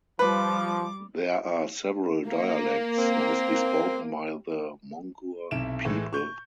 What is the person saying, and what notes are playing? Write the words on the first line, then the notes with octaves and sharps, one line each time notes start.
There are several dialects, mostly spoken by the Monguor people.
F3 G3 B4 D6
A#3
C4
B1 C3 E4 D7 E7
A2 E3 G#3 A3
C#6 G6